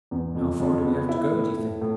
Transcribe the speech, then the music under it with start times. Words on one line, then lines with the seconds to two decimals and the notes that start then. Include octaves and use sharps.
"How far do we have to go do you think?"
0.11 E2
0.35 F2
0.60 F2
0.84 B3
1.09 E4
1.32 A2
1.57 A2
1.81 A2